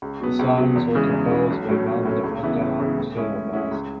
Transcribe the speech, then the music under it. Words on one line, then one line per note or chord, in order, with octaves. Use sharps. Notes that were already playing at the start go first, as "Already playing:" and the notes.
The songs were composed by Vandemataram Srinivas.
C#2
B2 F#3 B3
C#2
B2 F#3 B3
E2
C#3 E3 G#3
E2
C#3 E3 G#3
B1
A2 F#3 A3 C#4
B1
A2 F#3 A3 C#4
C#2
C#3 E3 B3 E4
C#2
C#3 E3 B3 E4
A2
G#3 C#4 E4
A2
G#3 C#4 E4
C#2